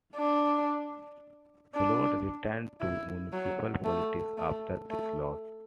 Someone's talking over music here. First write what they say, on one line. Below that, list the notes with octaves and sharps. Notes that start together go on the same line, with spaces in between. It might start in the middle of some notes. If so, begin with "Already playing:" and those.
Sloat returned to municipal politics after this loss.
D4
D4
E4
F#3
A3
A3
A3